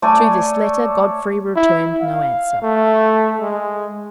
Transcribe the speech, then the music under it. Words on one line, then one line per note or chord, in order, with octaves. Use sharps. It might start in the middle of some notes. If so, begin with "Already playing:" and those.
To this letter Godfrey returned no answer.
A3 C#5 D5 G#5
E4
F5
A3
G#3